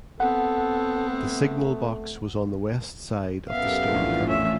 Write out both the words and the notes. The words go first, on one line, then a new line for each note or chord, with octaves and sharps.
The signal box was on the west side of the stone cutting.
B3 C4 A4 F#5
A3
F#2 B3 G4 A4 A#4 E5 F5
A#1 A2 E3 A3 F4
C#4 E5